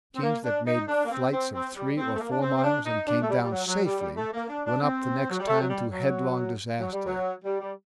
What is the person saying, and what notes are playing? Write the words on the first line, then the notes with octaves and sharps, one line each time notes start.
Machines that made flights of three or four miles and came down safely, went up the next time to headlong disaster.
C4
A#3
D4
D#4
D4
A#3
C4
C4
C4
G3
C4
A3
A#3
D4
C4
C4
D4
D#4
D4
A3
G3
G3
F#3
F#3
G3
G3
A3
A#3
D4
D4
C4
F#3
G3
A3
F#3
G3
F#3
F#3
G3
F#3
G3
G3